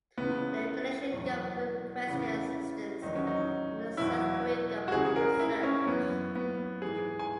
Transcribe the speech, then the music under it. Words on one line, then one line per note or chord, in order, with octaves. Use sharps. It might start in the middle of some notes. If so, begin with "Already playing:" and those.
The Indonesian government requested assistance from the South Korean government with the search.
C#2 C#3 E3 B3
E2 B2 F#3
E2 C#3 E3
E2 D#3 F#3 D#4
C#4
D#4
E2 B2 F#3 E4
F#4
C#2 C#3 E3 G#4
G#4
A#4
E4
C#4
F#2 E3 B3
B3
G#2 E3 G#4
G#5